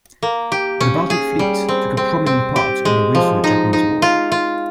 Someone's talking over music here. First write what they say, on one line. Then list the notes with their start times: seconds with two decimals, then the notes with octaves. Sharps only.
The Baltic Fleet took a prominent part in the Russo-Japanese War.
0.23 A#3
0.52 G4
0.81 C#4
1.10 G#4
1.39 G3
1.69 C4
1.97 C4
2.26 C4
2.56 G4
2.85 G#3
3.15 F3
3.44 D#4
3.73 D#4
4.02 F4
4.32 F4